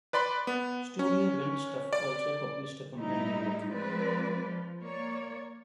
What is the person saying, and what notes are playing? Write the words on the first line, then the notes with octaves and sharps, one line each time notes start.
Studio Bent Stuff also published a companion book.
B4 D5 B5 C6
B3
C#4
D5
A2 G3 D#4 E4
F3 G#3 C4 B4 D5
F3
A#3 C#5 D5